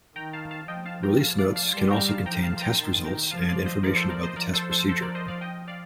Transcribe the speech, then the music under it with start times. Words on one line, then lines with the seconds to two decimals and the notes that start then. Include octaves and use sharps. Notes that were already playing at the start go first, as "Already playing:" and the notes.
Release notes can also contain test results and information about the test procedure.
0.16 D#3 G5 A#5
0.33 F5 A5
0.51 F5 A5
0.68 F3 D#5 G5
0.86 F5 A5
1.03 G5 A#5
1.21 F5 A5
1.38 D5 F5
1.56 F5 A5
1.73 G3 A5 C6
1.91 G5 A#5
2.08 F5 A5
2.26 F3 G5 A#5
2.43 F5 A5
2.57 C6
2.61 G5 A#5
2.78 D#3 A5 C6
3.04 G5 A#5
3.31 F3 F5 A5
3.48 D5 F5
3.66 C5 D#5
3.83 F3 A#4 D5
3.97 A4 C5
4.10 A#4 D5
4.23 C5 D#5
4.36 F3 A#4 D5
4.53 A4 C5
4.71 A4 C5
4.89 A4 C5
5.02 A#4 D5
5.15 C5 D#5
5.28 D5 F5
5.41 D#5 G5
5.67 D5 F5